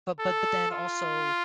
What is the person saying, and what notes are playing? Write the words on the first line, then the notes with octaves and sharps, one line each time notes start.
but but but then also
A4
F4